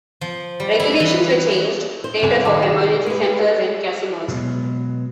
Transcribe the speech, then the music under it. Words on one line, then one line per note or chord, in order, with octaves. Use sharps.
Regulations were changed later for emergency centers and casinos.
F3
G3
E4
E3
C5
C2 G#5
C3 D#3 C#5 F5 A5 D6
G#4 E7
G#3 B4
B2 F#3 G#3 B3